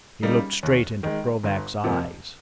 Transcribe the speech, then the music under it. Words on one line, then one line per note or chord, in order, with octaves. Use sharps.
He looked straight into Krovac's eyes.
C#3 G3 A#3 D#4
D#2
D#3 G#3
G1
F2 C3 F3 A#3